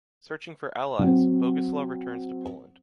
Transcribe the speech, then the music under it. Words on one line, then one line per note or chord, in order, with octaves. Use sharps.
Searching for allies,Boguslaw returns to Poland.
F#3 C4